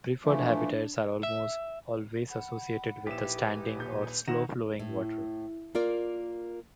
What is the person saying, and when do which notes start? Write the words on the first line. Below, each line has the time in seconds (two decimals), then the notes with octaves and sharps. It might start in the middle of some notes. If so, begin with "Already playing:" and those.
Preferred habitats are almost always associated with standing or slow-flowing water.
0.25 E3 F3 A3 D4
1.23 E5
2.29 F#5 B5
3.07 A#1 D#4 E4 G4 B4 G#5 E7
3.76 D#1 A#1 G6
4.28 D#3 E4 C5 E5 F#5 A#6 E7
4.79 A2
5.75 A#3 F4 A#4 D5